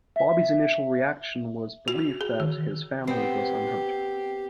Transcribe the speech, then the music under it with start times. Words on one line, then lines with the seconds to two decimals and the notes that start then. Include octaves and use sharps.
Bobby's initial reaction was relief that his family was unhurt.
0.16 E5
1.88 F#4
2.21 G#4
2.40 D#3
3.07 B3 C4 G4 G5 C7